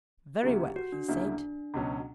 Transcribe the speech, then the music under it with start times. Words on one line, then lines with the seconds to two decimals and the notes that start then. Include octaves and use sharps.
'Very well,' he said.
0.42 D2 C#3 F#3 A#3 E4 G4
0.76 F#4
0.92 D4
1.08 D2 C#3 F#3 A#3 D4 E4
1.74 C#2 B2 F#3 C#4